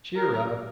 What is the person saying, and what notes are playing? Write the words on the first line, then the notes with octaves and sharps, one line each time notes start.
Cheer up.
A#4